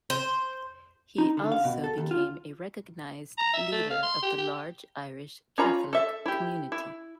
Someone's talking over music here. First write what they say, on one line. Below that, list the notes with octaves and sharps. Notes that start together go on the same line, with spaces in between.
He also became a recognised leader of the large Irish Catholic community.
C5
D#4
D3
F5
B2
A4
D#2
F4
A#5
E5
A3
F5
C6
G4
G4
C#4 F4 A#5 B5
A4 E5
E4 G4
E4